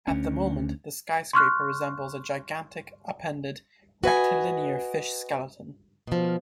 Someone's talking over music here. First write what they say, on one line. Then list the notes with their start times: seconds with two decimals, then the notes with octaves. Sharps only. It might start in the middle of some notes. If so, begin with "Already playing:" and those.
At the moment, the skyscraper resembles a gigantic, upended, rectilinear fish skeleton.
0.08 D2 C#4
1.33 C6 C#6 F6 F#6
4.04 F#4 B4 D#5 G#5
6.07 B2 F3